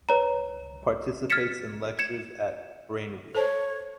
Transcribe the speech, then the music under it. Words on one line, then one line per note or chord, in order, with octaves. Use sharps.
Participates in lectures at "Brain Week".
B4 C#5 A#5
F6 G#6 A6 B6 C#7 E7
G#6 C#7 E7
A4 C5 C#5 A5